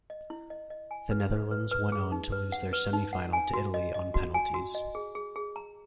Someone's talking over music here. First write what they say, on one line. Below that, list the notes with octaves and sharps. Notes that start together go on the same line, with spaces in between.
The Netherlands went on to lose their semi-final to Italy on penalties.
D#5
E4
D#5
D#5
G#5
B4
B4
B4
B4
G#4
D#4
B4
F#5
B4
D#4
F#5
G#5
F#4
D#5
D#5
F#4
G#5
F#4
D#5
G#4
G#4
G#4
A#5